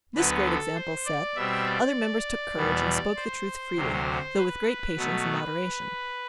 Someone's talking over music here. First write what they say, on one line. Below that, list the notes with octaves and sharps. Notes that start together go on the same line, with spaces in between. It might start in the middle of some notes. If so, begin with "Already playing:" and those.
This great example set, other members took courage and spoke the truth freely, though with great patience and moderation.
D2 D3 F#3 B3 B4
A4
C5
D5
B2 G3 C4 E5
D5
E2 B2 G3
C5
D2 C3 F#3
B4
B2 F#3 A3